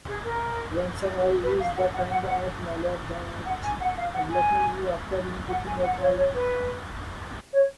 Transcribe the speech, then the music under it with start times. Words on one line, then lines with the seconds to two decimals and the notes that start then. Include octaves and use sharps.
Ransomware is the kind of malware that blackmails you after encrypting your files.
0.08 G#4
0.25 A#4
1.43 B4
1.60 F5
1.76 F#5
1.94 F#5
2.11 F#5
2.27 F#5
3.46 F#5
3.64 G#5
3.81 F#5
3.97 F5
4.14 F#5
4.31 G#5
5.49 F#5
5.67 G#5
5.83 F#5
6.01 C#5
6.17 C#5
6.34 B4
7.53 C#5